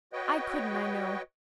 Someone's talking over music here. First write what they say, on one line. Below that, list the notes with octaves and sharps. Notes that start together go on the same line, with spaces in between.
I couldn't, I know.
F#4 B4 C#5 D#5 G5